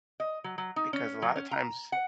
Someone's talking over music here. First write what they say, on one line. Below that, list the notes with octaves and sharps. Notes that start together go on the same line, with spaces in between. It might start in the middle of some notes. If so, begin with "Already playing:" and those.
Because a lotta times
D#5
F#3
F#3
D#4
C#4
F#3
C#4
A#5
F#5